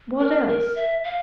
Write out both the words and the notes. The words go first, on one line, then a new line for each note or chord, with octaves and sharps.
"What else?"
A#4
A#4
E5
F5